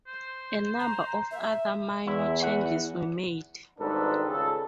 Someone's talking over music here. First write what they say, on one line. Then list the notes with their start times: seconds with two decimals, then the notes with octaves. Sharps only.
A number of other minor changes were made.
0.07 C5
0.80 A#5
1.31 E5
2.07 E2 E4
2.43 E4 F#5
3.79 G#1 G#2 G3 D4 A4 B4
4.27 C#2 G#4 A4